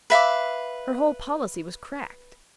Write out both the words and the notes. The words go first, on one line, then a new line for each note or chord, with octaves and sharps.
Her whole policy was cracked.
B4 E5 F5 D6